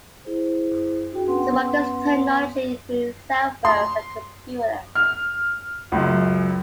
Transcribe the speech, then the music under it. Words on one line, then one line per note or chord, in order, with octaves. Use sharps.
Some of this technology includes cell phones and computers.
E4 G#4 C5
D4 F#4 G#4 G5
B3 C#4 B4 F#5 C6
C6
F6
C#2 F#2